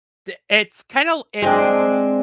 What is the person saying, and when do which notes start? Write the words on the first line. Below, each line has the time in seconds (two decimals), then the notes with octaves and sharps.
d it's kinda, l it's
1.42 G#3 C4 D4